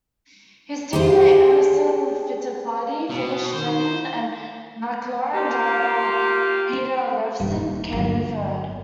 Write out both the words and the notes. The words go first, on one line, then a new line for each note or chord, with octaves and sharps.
His teammate Emerson Fittipaldi finished second and McLaren driver Peter Revson came in third.
G4 G#4 C5
B2
D#3 C5
A#3 C#4 F4 G4
D#1 G2
G1 F#3